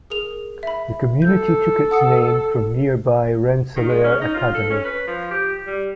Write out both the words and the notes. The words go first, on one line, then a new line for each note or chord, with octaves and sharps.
The community took its name from nearby Rensselaer Academy.
G#4 A#4 F7
E5 B5
A4 G6
F#5 D#6 C#7
D#3
G#3
C#4
D#4
F4
A4
C#4
B4
F3
G4
G3